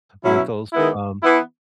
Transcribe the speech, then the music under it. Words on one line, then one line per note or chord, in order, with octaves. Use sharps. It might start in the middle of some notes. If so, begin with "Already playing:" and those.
Lentils, um
B2 F#3 C#4 E4
D#3 G#3 B3 E4
E3 B3 E4